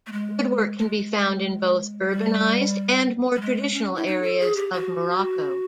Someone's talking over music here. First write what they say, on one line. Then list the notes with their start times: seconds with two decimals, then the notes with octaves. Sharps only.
Woodwork can be found in both urbanized and more traditional areas of Morocco.
0.07 A3
0.12 G#3
0.79 G#3
2.10 G3
3.36 G3
3.41 G#3
3.74 C#4
3.95 E4
4.06 D#4
4.22 A4
4.40 G#4
4.56 G4
4.73 F#4